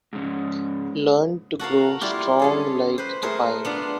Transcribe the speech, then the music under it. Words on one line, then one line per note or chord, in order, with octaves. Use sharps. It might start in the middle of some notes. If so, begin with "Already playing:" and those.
Learn to grow strong like the pine.
G#2 C#3
F#4 A4 A#4 F5
G3 E4 F4 G4
C#4 G#4 A4
B4 C5
A3 G#4 A#4 C5
B3 D4 F4